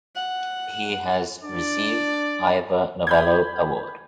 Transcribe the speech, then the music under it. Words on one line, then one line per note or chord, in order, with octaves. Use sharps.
He has received Ivor Novello Award.
F#5
D4 D5
B5 G6 G#6